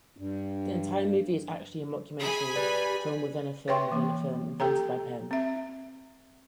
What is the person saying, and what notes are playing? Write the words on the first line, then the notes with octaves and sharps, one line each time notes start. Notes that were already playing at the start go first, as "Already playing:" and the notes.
The entire movie is actually a mockumentary film-within-a-film-within-a-film invented by Penn.
G2
G#4 G#5 B5
G3 B4
B4 C#5 E5 G5 C6 C#6
E3 A#3
G4 A4 G5 A#5
C4 E5